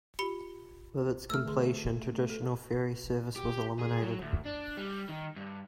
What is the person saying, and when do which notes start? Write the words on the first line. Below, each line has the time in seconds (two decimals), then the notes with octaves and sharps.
With its completion, traditional ferry service was eliminated.
0.19 F4 G4 B5 C#7 G7
1.30 A3 E6 F6
1.46 D3 G#4 C6
2.30 A4
3.36 G4
3.79 G#4
4.03 F#3
4.22 D2
4.46 D4
4.77 G3
5.08 D#3
5.36 G2